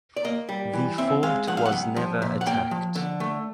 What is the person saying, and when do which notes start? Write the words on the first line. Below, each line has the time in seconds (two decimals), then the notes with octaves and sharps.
The fort was never attacked.
0.17 D5
0.25 A#3 D#5
0.49 G3
0.73 E3
0.98 C4 E5
1.23 G#3 F5
1.47 F3 F#5
1.57 F5
1.66 F#5
1.72 C2
1.96 F3
2.22 A#2
2.41 F#5
2.46 A#3 G5
2.71 F3
2.95 D3
3.20 A3